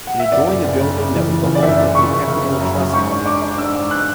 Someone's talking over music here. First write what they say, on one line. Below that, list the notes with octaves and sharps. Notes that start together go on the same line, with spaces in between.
It adjoined the building that was the home of Equitable Trust Company.
F#5
E5
F#1 D5
F#1
F#1
C#3
C#3
E3
E3
F#1
D5
F#1 E5
F#1
C#3 C#6
F#1
C#3
F#1
F#2
F#2
G#2 C#6
D4
D4 D6
D4
G#2 E6
G#2
F#6